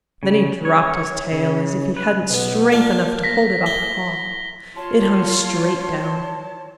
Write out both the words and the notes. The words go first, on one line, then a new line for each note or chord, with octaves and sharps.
Then he dropped his tail as if he hadn't strength enough to hold it up at all. It hung straight down.
C#3
C#5
C#3
B4
B1 B3
A#3 D4 F4
A#6 B6
E4 G7
F4 C#5 A5 C6